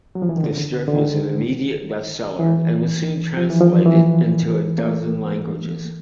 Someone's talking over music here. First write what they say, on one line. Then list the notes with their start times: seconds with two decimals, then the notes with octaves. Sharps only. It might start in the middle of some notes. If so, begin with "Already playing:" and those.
The strip was an immediate bestseller and was soon translated into a dozen languages.
0.15 F#3
0.22 F3
0.29 E3
0.37 D#3
0.44 D3
0.88 D3
0.93 D#3
2.39 E3
3.37 F3
3.50 E3
3.61 F3
3.86 E3
4.78 A#3
4.83 A3